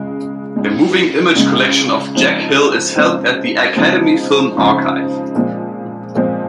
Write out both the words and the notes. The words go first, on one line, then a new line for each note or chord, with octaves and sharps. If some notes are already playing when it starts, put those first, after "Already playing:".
The moving image collection of Jack Hill is held at the Academy Film Archive.
Already playing: C#2 C#3 G#3
C#2 C#3 G#3
C#2 C#3 G#3
C#3 F3 G#3 C4 D#4
C#3 F3 G#3 C4 D#4
C#3 F3 G#3 C4 D#4
C#3 F3 G#3 C4 D#4
A#2 F3 G#3 C4
A#2 F3 G#3 C4